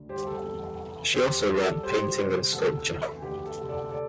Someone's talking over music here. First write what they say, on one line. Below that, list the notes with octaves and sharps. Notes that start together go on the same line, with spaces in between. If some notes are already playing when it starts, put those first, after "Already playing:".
She also learned painting and sculpture.
Already playing: D2
G3 G4 C5
A4
E2 A4
E3
E2 G4 C5
A4
G3
A4 D5
G3 G4 C5
C3
D2 A4
E3
D2 G4
A4
C3
A4 D5
A4 D5